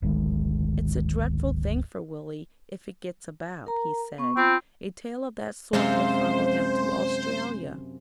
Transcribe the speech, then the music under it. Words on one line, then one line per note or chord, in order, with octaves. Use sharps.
'It's a dreadful thing for Willie, if it gets about,' he said; 'a tale of that sort would follow him to Australia.'
D1 G#1 D#3 G#3
A#4 A#5
B3 C#6
C4 F4 B5
F#2 C3 G#3 F4 C5